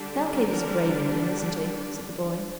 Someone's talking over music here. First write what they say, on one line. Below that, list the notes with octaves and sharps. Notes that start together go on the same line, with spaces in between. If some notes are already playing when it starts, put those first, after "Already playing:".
"Thalcave is a brave Indian, isn't he?" said the boy.
Already playing: D3 G3 D4
A#4